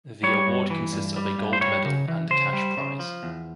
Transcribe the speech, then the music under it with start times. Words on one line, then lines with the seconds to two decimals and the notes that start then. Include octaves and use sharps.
The award consists of a gold medal and cash prize.
0.23 G3 C#5
0.47 G2
0.70 E3
0.93 G2
1.16 G3
1.39 G2
1.53 C5
1.61 G3 C#5
1.85 C#3
2.08 E3
2.30 C#3 C5
2.53 G3
2.77 C#3
2.99 F3
3.23 E2